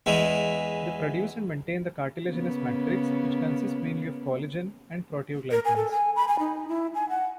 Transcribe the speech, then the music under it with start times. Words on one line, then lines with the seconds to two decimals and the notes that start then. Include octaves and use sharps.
They produce and maintain the cartilaginous matrix, which consists mainly of collagen and proteoglycans.
0.06 E2 E3 G#3
2.27 C#3 A#3 B3
5.51 A#4
5.65 G#5
5.76 A4
5.91 G#5
6.16 B5
6.28 G#5
6.39 D#4
6.68 E4
6.95 G#5
7.09 F#5